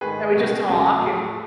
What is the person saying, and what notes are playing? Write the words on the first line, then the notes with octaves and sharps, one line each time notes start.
And we'd just talk and
G#2 D#3 A3 G#4 B4
C#2 B2 A3
E2 C#3 F#3 A3
A2 F#3 A3